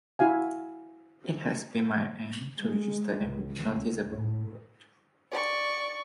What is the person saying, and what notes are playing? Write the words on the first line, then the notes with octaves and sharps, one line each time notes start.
It has been my aim to register every noticeable word.
E4 F#4 F5 G#5
G#3
C#2
C#2
A2
D5 C#6